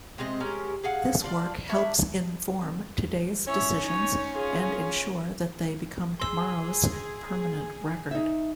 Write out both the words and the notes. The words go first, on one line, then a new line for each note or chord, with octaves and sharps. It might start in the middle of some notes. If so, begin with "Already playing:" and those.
This work helps inform today's decisions and ensure that they become tomorrow's permanent record.
C3 G#3 C4 D#5
G#3 C#4 G4 A#4
G#4 F5 F#5
D4 F4 D5
D#3 C#4 D4 E5
C#4 E4 C#5
D#4 C#5
F4 G#4
G#4 C6 E6
D#4 E5